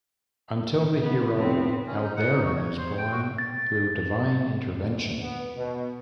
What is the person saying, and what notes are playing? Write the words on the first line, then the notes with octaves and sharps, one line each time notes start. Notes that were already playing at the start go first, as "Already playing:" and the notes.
Until the hero Aldarin is born through divine intervention.
B3
F1 B3 C4
C#4
D#4
F#5
D#4
F#4
C#5
C5
G5
F#4
A6
D2
B3
B2